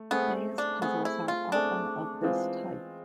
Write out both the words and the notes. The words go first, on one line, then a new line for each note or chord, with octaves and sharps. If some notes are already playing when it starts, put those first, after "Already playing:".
Maze puzzles are often of this type.
Already playing: A3
A3 B3 C4 G#4
D4
A3 B3 C4 G#4
E4
F4
A3 C4 D4 G#4
E3 G#3 C4 F4